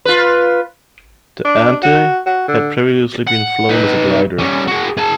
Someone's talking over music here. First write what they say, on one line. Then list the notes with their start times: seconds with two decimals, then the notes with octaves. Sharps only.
The Ente had previously been flown as a glider.
0.05 F4 B4
1.45 D4
1.83 F#4
2.26 F#4
2.48 D3
3.27 F#5
3.69 D#4 B4
4.38 G3 C#4
4.67 F#4 G#4
4.97 G#4 A5